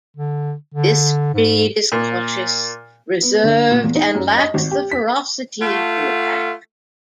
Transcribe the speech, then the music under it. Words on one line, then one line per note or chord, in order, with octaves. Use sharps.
This breed is cautious, reserved and lacks the ferocity to attack.
D3
D3
G#2
A#2
B3
D3
A#2
E2
D#4
F#2
D#5
G#1
G4
B6
A3 F4 F#5